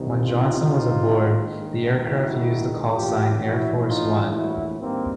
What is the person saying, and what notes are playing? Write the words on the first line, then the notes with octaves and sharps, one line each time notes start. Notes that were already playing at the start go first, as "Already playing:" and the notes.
When Johnson was aboard, the aircraft used the callsign Air Force One.
Already playing: C2 C3 D#3
D#4 F4
A#1 G#2 D#3
E4 F#4
A#1 A2 E3 F4 G4
E4 F#4
D#4 F4
E4 F#4
G#1 G2 D#3 A#3 C4